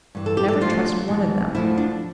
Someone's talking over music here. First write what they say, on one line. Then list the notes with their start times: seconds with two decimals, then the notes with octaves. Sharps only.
Never trust one of them.
0.15 G2 E3
0.26 A4
0.37 G4
0.48 A4
0.61 D2 D3 F3 F4
1.08 E2 B2
1.55 D2 D3 F3 E4
1.78 D4